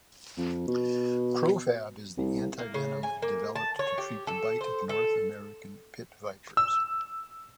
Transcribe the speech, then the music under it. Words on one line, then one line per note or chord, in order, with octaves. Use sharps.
Crofab is the antivenom developed to treat the bite of North American pit-vipers.
F2
B2
C2
A#3
C#3
G#5
A#3
A5
C#5
G4
A4
C5
A4
E6